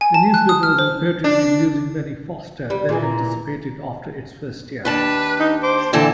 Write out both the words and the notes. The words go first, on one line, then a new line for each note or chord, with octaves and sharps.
The newspaper was reportedly losing money faster than anticipated after its first year.
G#5
A5
F#6
D#6
F6
C5
D4
G3
A#2 E3 G#4
A#5
D#2 D4 B4 A5
D#4
C5 D6
A#2 D3 E3 G5 A5